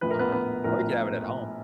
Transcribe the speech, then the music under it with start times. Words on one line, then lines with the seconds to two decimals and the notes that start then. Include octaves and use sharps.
Uh, or you could have it at home.
0.01 A#1 A2 F3 B4
0.11 A#4
0.19 B3 B4
0.32 B3 B4
0.64 A#1 A2 F3 A#4